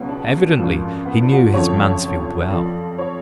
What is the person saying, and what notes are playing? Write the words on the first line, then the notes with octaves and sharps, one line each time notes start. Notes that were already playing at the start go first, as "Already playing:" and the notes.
Evidently he knew his Mansfield well.
Already playing: C#2 B2 F#3 C#4
D4
G#1 F#2 F3
B3
D4
F#4
F4
F#1 F2 D3 F3 C#5
F2 F3 D5
C#5